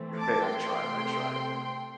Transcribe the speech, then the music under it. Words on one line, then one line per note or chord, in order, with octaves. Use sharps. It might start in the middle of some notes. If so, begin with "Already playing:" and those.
Hey, I tried, I tried.
Already playing: E3 A3 C4
A5 D6
G5 C6
C3 A3 C4